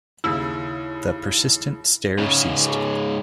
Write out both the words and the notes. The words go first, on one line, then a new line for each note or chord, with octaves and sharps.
The persistent stare ceased.
D#2 C#3 E4 E6
G#2 C#3